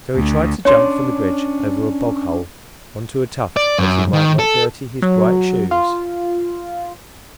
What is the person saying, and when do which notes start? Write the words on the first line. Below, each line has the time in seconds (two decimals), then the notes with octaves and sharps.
So he tried to jump from the bridge over a bog hole on to a tuft that he might not dirty his bright shoes.
0.16 D2
0.65 C#4 D4 C#5 C6
3.57 D5
3.79 F#2
4.13 D#3
4.39 A4
5.02 F#3
5.71 F4